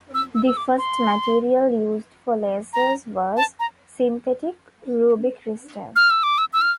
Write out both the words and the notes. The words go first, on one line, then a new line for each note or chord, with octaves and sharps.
The first material used for lasers was synthetic ruby crystals.
E6
E6
E6
D6
C6
A#5
A5
A#5
F6
E6
D6
E6
E6
F6